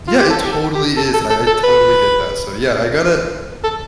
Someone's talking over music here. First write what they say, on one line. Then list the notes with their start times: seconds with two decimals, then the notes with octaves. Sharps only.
yeah, it totally is. And I I totally get that. So yeah, I gotta
0.08 F4
0.19 G4
0.30 A4
0.45 G4
0.52 A4
0.75 G4
0.97 A4
1.14 A4
1.30 A4
1.47 A4
1.64 B4
3.64 A4